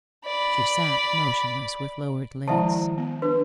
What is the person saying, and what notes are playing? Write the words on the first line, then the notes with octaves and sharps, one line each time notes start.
She sat motionless, with lowered lids.
D5 B5
D#3 F3 G#3 E4 E5 A5
B3
D4 B4